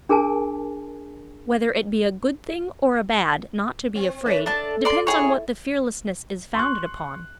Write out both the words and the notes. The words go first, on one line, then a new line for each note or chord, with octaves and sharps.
Whether it be a good thing or a bad not to be afraid depends on what the fearlessness is founded upon.
D4 G#4 A#4 G#5 A5
C4
A3 C#4 B4
D4 A4 A5
D5 C6
E4 G#4 C#5
C6 C#6 F#6